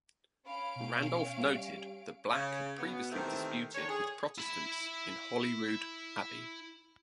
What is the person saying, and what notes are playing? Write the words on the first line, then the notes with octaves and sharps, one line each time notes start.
Randolph noted that Black had previously disputed with Protestants in Holyrood Abbey.
C#4 F5 B5 D7
B2
G3
C#3
B2 B3
C3 D#3 E3 A3 C4 A#4
D3 D#3 D4 C#5
G#4
E4 B5